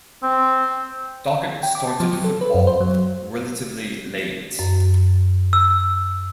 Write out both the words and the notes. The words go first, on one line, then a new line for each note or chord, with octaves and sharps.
Dockett started football relatively late.
C4
G5
D6
A5
F3
F#3
A4
B4
F#2
C5
F#3
F#2
E6